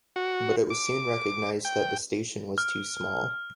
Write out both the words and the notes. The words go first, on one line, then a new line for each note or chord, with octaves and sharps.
But it was soon recognized that the station was too small.
F#4
D6
G5
F6